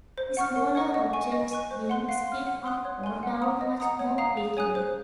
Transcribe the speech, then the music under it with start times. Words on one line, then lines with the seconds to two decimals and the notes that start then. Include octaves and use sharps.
Smaller objects will spin up or down much more quickly.
0.18 C5
0.37 F#5 C#6 F6
0.56 A#4
0.75 C#5 F#5 C#6
0.94 D#5
1.13 G#5 C#6
1.32 D#5
1.51 G#5 C#6 F#6
1.71 C5
1.89 F#5 C6 F#6
2.09 F5
2.28 C6 F6
2.47 F#5
2.66 C6 D#6 F#6
2.85 C#5
3.04 G#5 C6 F#6
3.23 F#5
3.42 A#5 D#6
3.61 D#5
3.80 F#5 A#5 D#6
3.99 C#5
4.18 F5 A#5 D#6
4.37 G#4
4.57 C#5 G#5 D#6 F#6
4.75 C5